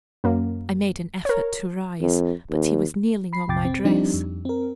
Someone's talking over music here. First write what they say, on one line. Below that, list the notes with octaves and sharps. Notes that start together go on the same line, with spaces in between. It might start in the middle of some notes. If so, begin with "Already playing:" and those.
I made an effort to rise, but he was kneeling on my dress.
F#2 A#3
A#4 C#5
F2
D#2
B5 C7
A#1 F2 C3 G5 D6 A6
C4
F3 G3 C4 D4 D#4 G4
F2
C4 A#4